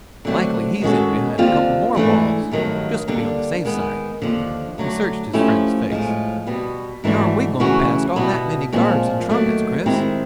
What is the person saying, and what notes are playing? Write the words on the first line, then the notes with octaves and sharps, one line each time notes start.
Likely he's in behind a couple more walls, just to be on the safe side." He searched his friend's face. "How are we going past all that many guards and trumpets, Chris?
D3 F#3 A3 C4
D#3 G#3 C#4 F#4 A4
D#2 D3 G3 C4 F4
G#2 E3 A3 D4
G2 D#3 F#3 A3
D3 G3 A#3 D4
D#3 G#3 B3
D#2 D3 F3
D3 F#3 A3
F3 A3 C#4 E4 G4
A2 F3 G#3
B2 G3 B3
G#2 E3 A3 D4 F#4
C#3 E3 A3 C#4 F#4
B2 G3 B3 E4
A#2 F3 G#3 C4
D#2 D#3 F#3 A3
D#3 G#3 C4 E4 G4